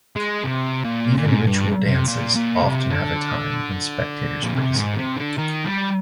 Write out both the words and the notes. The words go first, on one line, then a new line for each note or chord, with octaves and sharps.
Even ritual dances often have a time when spectators participate.
G#3
C3
A#2
A#2
G#2
G2
C3
A#2
A#2
C3
D3
A#2
C3
G#2
C3
D3
D#3
G3